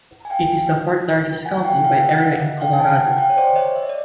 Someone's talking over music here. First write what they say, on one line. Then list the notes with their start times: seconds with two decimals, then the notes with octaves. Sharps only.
It is the fourth-largest county by area in Colorado.
0.25 G#5
0.30 F5 G5
1.45 F#5 G#5
1.64 F5 G5
1.84 F5 G5
1.96 E5 F#5
2.09 D#5 F5
2.22 E5 F#5
2.60 F5 G5
2.73 G#5
2.79 G5 A5
2.99 F#5 G#5
3.17 F5 G5
3.30 C#5
3.37 C5 D5
3.56 C#5 D#5
3.76 E5
3.83 D#5
3.89 D5